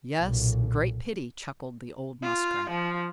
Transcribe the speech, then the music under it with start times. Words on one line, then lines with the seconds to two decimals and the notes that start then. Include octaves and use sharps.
"Yes, great pity," chuckled the old Muskrat.
0.20 B1 A#2
2.23 F4
2.70 F3